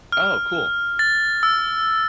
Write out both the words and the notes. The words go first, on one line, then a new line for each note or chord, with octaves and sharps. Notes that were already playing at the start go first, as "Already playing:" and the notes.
Oh, cool.
F6
A6
E6